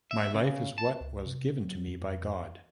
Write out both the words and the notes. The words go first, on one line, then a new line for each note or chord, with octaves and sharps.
My life is what was given to me by God.
E5
C#3
A5
C#2
C3
F#3
F2